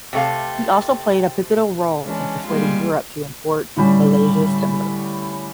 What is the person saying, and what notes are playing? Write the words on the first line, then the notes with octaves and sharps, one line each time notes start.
He also played a pivotal role in persuading Europe to import Malaysia's timber.
C3 A3 F5 G5
E3 G#3 C#4 D4
G3 G#3 A#3 B3 F4 G#4
A2 D3 G3 C#4